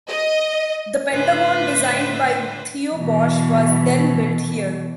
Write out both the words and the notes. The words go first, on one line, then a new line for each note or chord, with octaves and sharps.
The Pentagon designed by Theo Bosch was then built here.
D#5
A2 D3 F4 B4 C5 E5
B2 E3